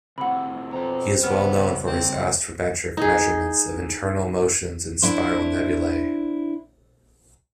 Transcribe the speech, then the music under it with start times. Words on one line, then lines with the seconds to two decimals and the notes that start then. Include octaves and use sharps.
He is well known for his astrometric measurements of internal motions in spiral nebulae.
0.18 A2 C3 F#5 B5
0.73 F2 B2 C4 A#5
1.23 C#3 G3 B3 F6
1.87 C4
2.97 D#4 G#4
5.02 D4 E4 C5